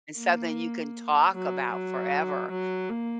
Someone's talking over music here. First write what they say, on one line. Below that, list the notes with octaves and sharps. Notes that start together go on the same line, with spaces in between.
It's something you can talk about forever.
A#3
F#3
F#3
F#3
A#3